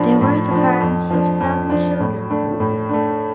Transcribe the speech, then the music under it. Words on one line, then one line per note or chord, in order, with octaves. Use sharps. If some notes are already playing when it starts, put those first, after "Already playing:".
They were the parents of seven children.
Already playing: A2 F3 D4
A2
F3 D4
F2
F3 D4
F2
F3 D4
A2
A3 D4
A2
A3 D4